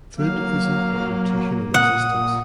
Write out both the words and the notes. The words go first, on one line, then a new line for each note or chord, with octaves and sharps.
Food is important to human existence.
F#3 A#3 F5
A#2 F#5 D#6